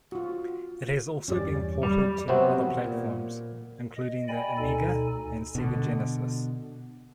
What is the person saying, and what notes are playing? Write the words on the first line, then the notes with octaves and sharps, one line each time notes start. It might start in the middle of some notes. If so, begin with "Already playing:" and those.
It has also been ported to other platforms, including the Amiga and Sega Genesis.
F4 F#4
E2 G2 C#4 G4 D5
G3
C3 F#3 B3 C4 F#4
A#2
D#5
D5 D#5 G5 G#5 B5
D2 B2 D#4 A4 G#5
B2 D3